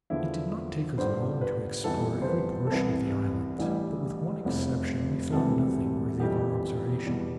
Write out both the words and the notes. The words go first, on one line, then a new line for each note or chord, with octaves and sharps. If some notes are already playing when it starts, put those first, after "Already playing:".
It did not take us long to explore every portion of the island, but, with one exception, we found nothing worthy of our observation.
E2 D3 F3 E4
G1 G2 D3 G3 C5
B4
G1 F2 E3 G3 A4
C5
B4
A4
C2 C3 E3 G3 B4
A1 G2 E3 G3
F1 E2 C3 G3
E1 D2 C3 E3 G3 A4
G1 F2 E3 G3 G4
E2 B2 G3